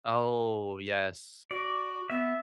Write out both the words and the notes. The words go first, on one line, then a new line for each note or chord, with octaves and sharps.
Oh, yes.
F#4 D5
B3 E5